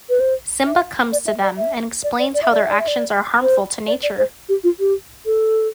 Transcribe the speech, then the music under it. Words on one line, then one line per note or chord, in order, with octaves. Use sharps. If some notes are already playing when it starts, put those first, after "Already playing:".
Simba comes to them and explains how their actions are harmful to nature.
B4
C5
E5
D5
E5
D5
E5
D5
D5
D5
E5
D5
E5
D5
E5
D5
C5
D5
D5
C5
G4
F4
G4
A4